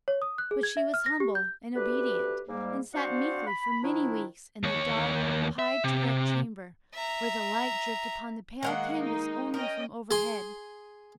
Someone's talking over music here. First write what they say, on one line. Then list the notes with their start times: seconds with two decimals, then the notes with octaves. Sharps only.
But she was humble and obedient, and sat meekly for many weeks in the dark, high turret-chamber where the light dripped upon the pale canvas only from overhead.
0.08 C#5
0.22 D#6
0.38 F#6
0.51 G#4
0.63 G#6
0.77 E5
0.94 F6
1.06 A#6
1.20 G4
1.35 G6
1.75 D2 G4 B4
2.48 G#2 G3 A#3
2.94 C4 D4 F#4 C5 F5 F#5
3.47 B5
3.83 D#3 F3 D4 E4
4.63 D#2 C#5
5.59 E5
5.84 C3
6.94 E5 A#5
8.63 D#3 G#3 A#3 F#5
9.02 D#4
9.54 C#4 A#4 D#5 G5
10.11 G#4 C6